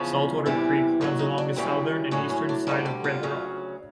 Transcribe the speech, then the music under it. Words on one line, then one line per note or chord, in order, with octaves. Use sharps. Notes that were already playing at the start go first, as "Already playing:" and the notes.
Saltwater Creek runs along the southern and eastern side of Redruth.
Already playing: E2 C#3 F3
E2 C3 E3 G3
D#2 D#3 F#3 D#4
D#4
D4
F#2 C#3 E3 G3 C4
A2 F#3 C#4
C#4
D4
D2 D3 G3 D#4
G4
F4
D2 C#3 F#3